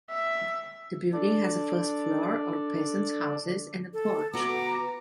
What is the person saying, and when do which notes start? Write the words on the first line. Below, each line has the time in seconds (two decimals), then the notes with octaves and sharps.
The building has a first floor, or peasants’ houses, and a porch.
0.10 E5
1.14 D4 A4 D5
3.94 A4
4.33 B3 F#4 A#5 D6